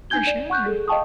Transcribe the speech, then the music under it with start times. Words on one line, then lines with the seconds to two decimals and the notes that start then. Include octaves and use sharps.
For sure.
0.10 D4 D#4 G#5 G6 G#6 G7
0.27 D5
0.50 F#5 C#6 F#6 G6
0.66 G#4 A4
0.88 D#5 F5 G5 A5 C#6 D#6